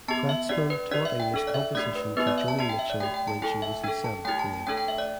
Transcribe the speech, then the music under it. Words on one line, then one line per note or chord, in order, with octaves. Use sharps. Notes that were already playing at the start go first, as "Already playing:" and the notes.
Kratzmann taught English composition to Joni Mitchell when she was in seventh grade.
B3 G4 A5
E5
D4 G4 D5
B4
D4 G4 D5
E5
G5
D4 A4
D5
E5
A3 D4 G4 D5
B4
B3 E4 G4 B4
D5
E5
A5
D4 G4 A5
G5
E5
D5
A3 G4 G5
G5
A5
A3 E4 A4 G5
E5
D4 A4 G5
A5
A3 E4 G4 G5
A5
A5
A3 D4 A4 G5
G5
E5
D5